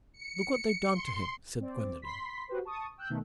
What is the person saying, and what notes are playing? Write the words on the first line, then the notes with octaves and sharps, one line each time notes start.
"Look what they've done to him," said Gwendolen.
C#7
C6
C4 D5
B5 C6 B6
F#4 G4 B4 C5
A5 C#6 D#6
G5 E6 F#6 G6
B2 D#3 A3 D#4